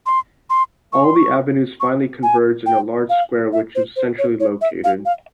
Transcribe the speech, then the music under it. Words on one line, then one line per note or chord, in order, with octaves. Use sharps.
All the avenues finally converged in a large square which was centrally located.
C6
C6
C#6
C6
C#6
C#6
G#5
G5
F5
E5
C5
C5
C#5
C#5
E5
F5
F5